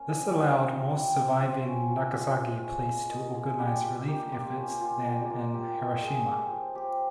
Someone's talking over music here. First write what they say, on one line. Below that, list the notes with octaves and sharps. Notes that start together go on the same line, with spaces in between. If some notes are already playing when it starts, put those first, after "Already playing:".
This allowed more surviving Nagasaki police to organize relief efforts than in Hiroshima.
Already playing: A#3 C#4 G#5
C4
F4
G3
G3 G5
C4
F4
C#4
F4
G#3
G#3
C#4
F4
A#3 D#5
F4 G#4
G3 G4
G3 G4
A#3 G4
F4 G4
C#4
F4
A#3
A#3 F4
C#4 G4
F4
F4 G4
G#3 G#4
D#4
G4
F3
F3 G4